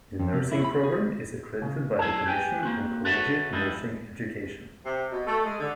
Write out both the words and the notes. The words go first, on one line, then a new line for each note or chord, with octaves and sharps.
The Nursing program is accredited by the Commission on Collegiate Nursing Education.
F2
C3
E4
B5
G#4
C#3
F#3 E4 G#4 A5
G4 B4 G5 G#5
A#3 C4 F#4
F#4 A4 B4 C#5 E5 F#5
F2 G#2 G3 G#3 D#4 E4
C3
B2
A3
G#3
D3